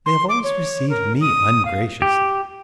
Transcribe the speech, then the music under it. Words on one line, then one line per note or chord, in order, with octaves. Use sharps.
They have always received me ungraciously.
C6
D6
C#5
A#4
D#6
F5
G4